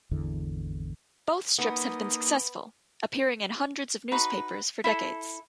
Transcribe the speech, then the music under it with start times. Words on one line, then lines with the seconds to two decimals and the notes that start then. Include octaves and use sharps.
Both strips have been successful, appearing in hundreds of newspapers for decades.
0.11 G#1 E2 D3 E3
1.58 A#3 B3 D#4
4.12 D#4 F#4 B4
4.84 E4 A4